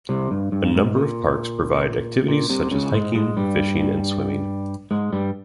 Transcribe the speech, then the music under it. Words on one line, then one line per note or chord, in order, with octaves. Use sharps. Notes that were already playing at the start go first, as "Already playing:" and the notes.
A number of parks provide activities such as hiking, fishing and swimming.
C2 C3
G2
G2
G#2
A#2
A#2
C2 C3
C#2 C#3
G#2 G#3
G#2 G#3
G2 G3
G#2 G#3
G2 G3